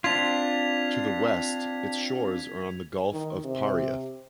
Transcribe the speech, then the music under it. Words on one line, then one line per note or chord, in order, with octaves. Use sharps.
To the west its shores are on the Gulf of Paria.
C4 D4 F4 G#6 B6 F7
D#3
C3